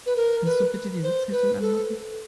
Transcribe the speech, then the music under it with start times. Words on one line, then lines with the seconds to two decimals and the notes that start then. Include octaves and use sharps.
Kannst du bitte die Sitzheizung anmachen?
0.06 B4
0.16 A#4
0.45 B4
1.03 C5
1.31 B4
1.61 A4